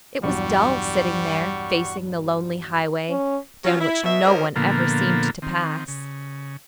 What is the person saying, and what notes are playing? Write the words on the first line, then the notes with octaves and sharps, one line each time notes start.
It was dull, sitting there facing the lonely highway, down which no one ever seemed to pass.
B1 E2 G2 G3 F#5 C#6
C#4
F#3 C#4 F4
E4
B2 E5
D2 D3 C#4 A#4 C5 D#5
A#2 D3 F3 A#3 B3 A4
D#3 C4
C#3